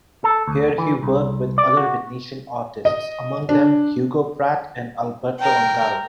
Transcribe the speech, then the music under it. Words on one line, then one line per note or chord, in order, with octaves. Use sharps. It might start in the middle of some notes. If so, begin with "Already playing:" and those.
Here he worked with other Venetian artists, among them Hugo Pratt and Alberto Ongaro.
A4
D2
E3
C2
D5
F#4
D#5
D4
A#4 G5